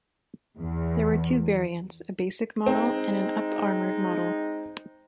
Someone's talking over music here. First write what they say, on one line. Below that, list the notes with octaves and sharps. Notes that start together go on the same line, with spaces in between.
There were two variants; a basic model and an up-armored model.
E2
G#3 C4 D#4